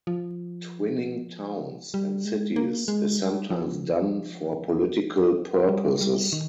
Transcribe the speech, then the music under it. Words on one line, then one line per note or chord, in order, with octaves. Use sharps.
Twinning towns and cities is sometimes done for political purposes.
F3
G3
G#3
A#3
G#3
G3
F3
G3
G#3
G3
D#3